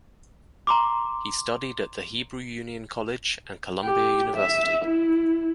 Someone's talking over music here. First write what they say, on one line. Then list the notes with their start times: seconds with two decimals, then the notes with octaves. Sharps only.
He studied at the Hebrew Union College and Columbia University.
0.67 A#5 C6 D6
3.84 G4
4.36 E5
4.85 E4